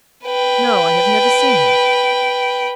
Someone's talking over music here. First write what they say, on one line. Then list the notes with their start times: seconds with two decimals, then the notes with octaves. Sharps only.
"No, I have never seen him."
0.25 B4 G5